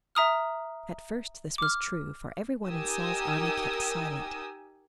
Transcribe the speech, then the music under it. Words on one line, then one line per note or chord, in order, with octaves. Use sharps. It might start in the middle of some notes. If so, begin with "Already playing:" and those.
At first, this was true, for every one in Saul's army kept silent.
E5 A#5 D#6 F6
D6 F6
D#4 G4 A#4 G#5 D#6 E6